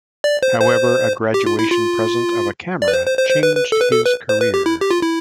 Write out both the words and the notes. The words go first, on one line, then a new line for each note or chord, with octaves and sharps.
However, a graduation present of a camera changed his career.
D5
C5
C5
G4
F4
E4
F4
D5
B4
C5
C5
C5
C5
B4
B4
A4
B4
A4
B4
C5
B4
G4
E4
G4
F4
E4